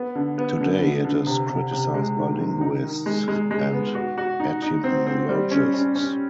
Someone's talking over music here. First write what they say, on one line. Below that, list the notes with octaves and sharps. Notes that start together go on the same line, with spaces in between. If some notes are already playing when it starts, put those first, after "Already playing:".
Today it is criticized by linguists and etymologists.
Already playing: B3
D3
B3
D3
D3
D3
C3
C3
C3
G#3
D#3
D#3
D#4
D#3
G#3
G#3
G#3
B3
F#4
F#4
D#4
D#4
C4
C4
G3
C#4
C#4
C#4